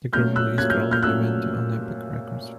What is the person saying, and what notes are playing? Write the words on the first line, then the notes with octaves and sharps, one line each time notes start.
The group released "Girl in the Wind" on Epic Records.
A#2 F#3 A3 C#4 F6 G6
E6 F#6
A#2 F#3 A3 C#4 F#6 G#6
F6 G6
F6 G6
A#2 F#3 A3 C#4 E6 F#6